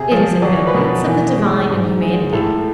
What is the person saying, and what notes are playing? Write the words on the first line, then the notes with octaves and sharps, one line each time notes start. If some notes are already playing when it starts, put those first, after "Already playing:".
It is an evidence of the divine in humanity.
Already playing: C3 G#4
F3
F#3 D5
B4
B2 A#4
E3
G#3
G#2
G#3
A2 A4